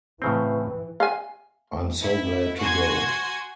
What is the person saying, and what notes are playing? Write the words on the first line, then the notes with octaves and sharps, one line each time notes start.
I'm so glad to go!
A2 C#3 E3 C4
F5 G#5
E4
F#4 G#5 C6 G#6